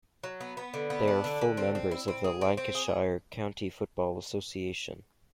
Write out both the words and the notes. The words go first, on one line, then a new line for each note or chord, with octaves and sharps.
They are full members of the Lancashire County Football Association.
F#3
B3
B3
D3
B3
D4
D3
D3
C4
C4
E4
C4
G#4
C4
C4
G#4